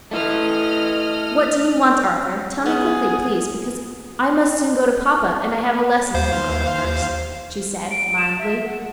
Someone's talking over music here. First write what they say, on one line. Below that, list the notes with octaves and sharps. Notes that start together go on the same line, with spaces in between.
"What do you want, Arthur? tell me quickly, please, because I must soon go to papa, and I have a lesson to look over first," she said, mildly.
A3 E4 B4 D#5 F6
B3 G#4
D#2 C5 F5
D7
E7
E5
F#5